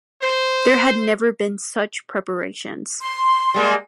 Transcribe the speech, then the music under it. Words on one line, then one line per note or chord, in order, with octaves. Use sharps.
There had never been such preparations.
C5
C6
G3 G#3 A#3